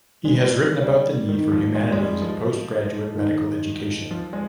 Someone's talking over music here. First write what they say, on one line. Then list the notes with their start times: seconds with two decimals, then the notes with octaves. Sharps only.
He has written about the need for humanities in postgraduate medical education.
0.25 G#3
0.35 G3
0.82 G3
1.29 D#3
1.52 F3
1.75 G#3
1.92 G#3
1.98 G3
2.22 F3
3.16 D#3
4.11 F3
4.33 G#3